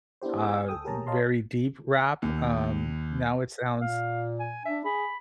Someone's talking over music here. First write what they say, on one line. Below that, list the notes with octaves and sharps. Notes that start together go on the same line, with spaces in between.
uh, very deep rap, um, now it sounds
B3 D4 E4 G4 C5
G#5 E6
D2 A4 G5 D#6
G4 G#4 A#4 C#5 A5 A#5
C#5 D#5 F5 A5 A#5 C6
D#2
A#2 F5
G#5
D4 E5
G#4 B5